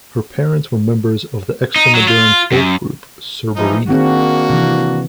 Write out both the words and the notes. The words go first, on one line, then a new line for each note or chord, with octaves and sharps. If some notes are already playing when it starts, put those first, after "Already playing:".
Her parents were members of the Extremaduran folk group Surberina.
D#4
F#3
F4
F#2
E3 F3 D#4
D#3 A#3 C4 D4 F#4 G#4
C3 E3